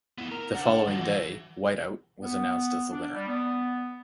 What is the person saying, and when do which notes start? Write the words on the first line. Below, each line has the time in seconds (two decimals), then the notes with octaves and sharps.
The following day, White Out was announced as the winner.
0.18 B3 E4
0.31 A#4
0.55 D4 F#5
0.87 D#3 F#3
1.01 E3
2.22 B3
2.91 D4
3.14 G3
3.27 B3